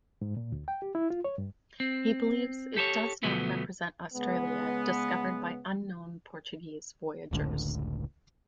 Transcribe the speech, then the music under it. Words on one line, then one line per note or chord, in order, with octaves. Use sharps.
He believes it does not represent Australia discovered by unknown Portuguese voyagers.
G#2
A#2
D2
G5
G4
E4
F4
C#5
G2
C4
G4 A4 C5 C#5
D2 B2 F3 F#3 A3 B3
C#3 G#3 B3
F1 C#2 A2 D3